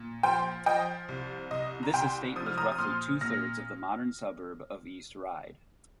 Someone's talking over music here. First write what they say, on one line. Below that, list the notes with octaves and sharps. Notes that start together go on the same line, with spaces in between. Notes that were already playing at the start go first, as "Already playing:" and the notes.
This estate was roughly two-thirds of the modern suburb of East Ryde.
Already playing: A#2
F3 G5 C6
F3 D#5 G5
C2
C2 D#5
A#5
C2 G5 C6
F3 D#6
F6
A#5 D#6
D#6
A#2 C6 F6
A#2 F6 A#6